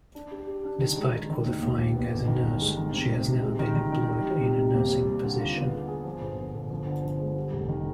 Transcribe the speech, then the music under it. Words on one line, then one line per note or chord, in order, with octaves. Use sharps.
Despite qualifying as a nurse, she has never been employed in a nursing position.
D4
G4
G4
D4
D#3
G#3
D#3
D#3
D#2
D#2
D#2
B3
G1
D#3
G2
G#3
D#3
C3
C3
C3
G#3
D#3
D#3
D#3
G3
G3
C3
C3
D#2
G3
G3
D3
F4
B3
G#4
G#4
F3
G1
F3
G1
F3
D3
F3
G#3
G3
F1
D#3